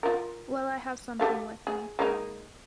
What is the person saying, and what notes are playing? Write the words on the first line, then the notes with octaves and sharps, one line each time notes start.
Well I have something with me.
F4 A#4
G4 A4 F5
G#4
G#3 A#3 D#4